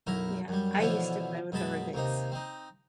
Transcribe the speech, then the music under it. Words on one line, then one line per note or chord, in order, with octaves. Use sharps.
Yeah. I used to play with the Rubik's
B1 F#2 E4 A#4
F#2 G3
B2 D3 E3 F3 C#4 E4
F#2 B2 G#3 A5 B5
D#2 C3 A#3 D#4
C4 D#4